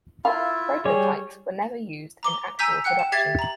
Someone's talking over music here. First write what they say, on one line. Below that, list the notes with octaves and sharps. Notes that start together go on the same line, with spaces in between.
The prototypes were never used in actual production.
E4 F4 A#4 E5 F5
G3 G#4 C#5
A#5 D6 G7
G#5 A#5 E6 G6 B6
F#5 G5 F#6 C#7
E7
G4 E5 G#6 A6 C7
A#5 F#7